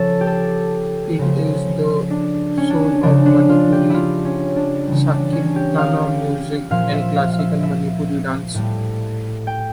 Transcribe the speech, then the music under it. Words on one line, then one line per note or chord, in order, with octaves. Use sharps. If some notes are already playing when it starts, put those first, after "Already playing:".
It is the soul of Manipuri Sankirtana music and Classical Manipuri dance.
Already playing: C#3 F3 A4 C#5
G4
A4
C#3 F3
D4
C#4
D4
C#4
C#3 F3 D4
D4
F4
G4
E4 F4
C#4
D4
C#3 E3 G3
D4
C#4
G4
F5
A#2 F3 F5
E5
F5
F5
E5
E5
A2 G3
G5